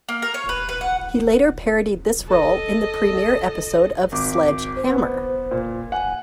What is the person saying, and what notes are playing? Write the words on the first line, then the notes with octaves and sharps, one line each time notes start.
He later parodied this role in the premiere episode of Sledge Hammer!
A#3
A#4
C#5
B4
B4
F#5
A4 D#5
G#1 D6
D6
C5
B3
A#2
F#5 G#5